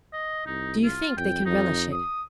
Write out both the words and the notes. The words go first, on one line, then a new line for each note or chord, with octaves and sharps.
Do you think they can relish it?
D#5
C2 D#4
F4
F2 G5
F2 D#4
D#6